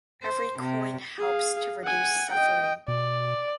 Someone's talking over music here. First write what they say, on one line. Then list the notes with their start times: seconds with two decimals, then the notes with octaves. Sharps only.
Every coin helps to reduce suffering.
0.22 C5
0.59 C3
1.18 G#4 F5
1.84 F#5 G#5
2.31 D#5 G5
2.88 B2 D5